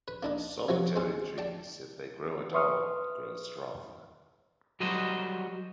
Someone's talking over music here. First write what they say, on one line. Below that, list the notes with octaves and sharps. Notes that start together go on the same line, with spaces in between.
Solitary trees, if they grow at all, grow strong.
B4
A#3 D4 D#4
C3 F3 F#3 F#4 C#6
G#3 C4
D5 G5 A5
B4 E5 C6 C#6 D#6 F6
F#3 G3 F#4 C5 D#5